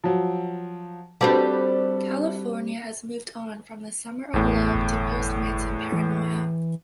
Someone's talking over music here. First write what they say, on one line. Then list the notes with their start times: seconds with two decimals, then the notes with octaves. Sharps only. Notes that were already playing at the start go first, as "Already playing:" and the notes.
California has moved on from the Summer of Love to post-Manson paranoia.
0.04 F3 F#3
1.21 G3 C4 D4 F#4 A4 B4
4.34 A1 E2 A2
4.75 G1
5.92 E3